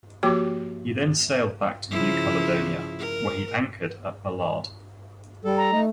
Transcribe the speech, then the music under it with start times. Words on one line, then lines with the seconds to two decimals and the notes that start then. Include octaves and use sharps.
He then sailed back to New Caledonia, where he anchored at Balade.
0.23 F3 A#3 F#4 G4 G5 D6
1.91 C#3 F3 E4
2.99 A#4
5.45 G3 A4
5.57 A#5
5.71 A3 D#4